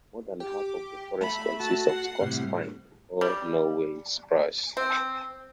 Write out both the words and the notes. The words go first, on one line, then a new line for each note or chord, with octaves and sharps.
More than half of the forests consist of Scots pine or Norway spruce.
G4
A3 B5
F#4 A5
F#5 C7
A2 C3 G3
G3
C4